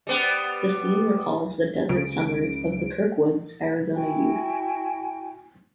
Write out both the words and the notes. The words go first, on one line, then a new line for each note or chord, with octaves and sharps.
The scene recalls the desert summers of the Kirkwoods' Arizona youth.
G3 B3
C#2 C#3 D7
E4 F#4 G5 G#5